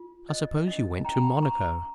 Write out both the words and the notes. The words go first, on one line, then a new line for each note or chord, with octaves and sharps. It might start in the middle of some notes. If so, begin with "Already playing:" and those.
"I suppose you went to Monaco?"
Already playing: F4
C5 D#5
C#4 D#5
C#4 G5 A#5
C#4 A#5 C#6